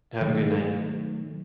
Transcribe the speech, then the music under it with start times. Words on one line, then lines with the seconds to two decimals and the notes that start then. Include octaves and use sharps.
Have a good night.
0.21 B2 D#3 F#3 A3